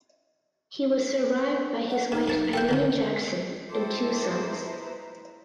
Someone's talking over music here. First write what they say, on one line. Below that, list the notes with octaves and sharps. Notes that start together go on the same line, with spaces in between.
He was survived by his wife Eileen Jackson and two sons.
F#5
C3 D#4
F#2 A5
E4 F4 A4 A#4 G5 G6
D3 D#3 C#4 A#4
E4 A4 C5 D#5 G5 D6
B4 A#5